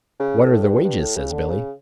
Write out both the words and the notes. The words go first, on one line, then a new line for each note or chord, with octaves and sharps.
"What are the wages?" says Billy.
C#3
A2
G2
G2
A2
C#3
D3
C#3